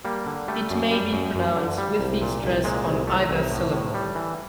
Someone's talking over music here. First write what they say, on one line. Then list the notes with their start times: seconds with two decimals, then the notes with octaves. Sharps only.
It may be pronounced with the stress on either syllable.
0.05 G3 A#3
0.26 D3
0.48 G3 A3
0.70 F#2
0.91 G3
1.13 F#2
1.35 F#2
1.56 D3
1.78 G3
1.99 C2
2.22 A#2
2.42 C2
2.64 A#2 G#3
2.86 C2
3.07 C2 A3
3.30 C2
3.51 A2
3.72 A2
3.94 G3
4.15 E3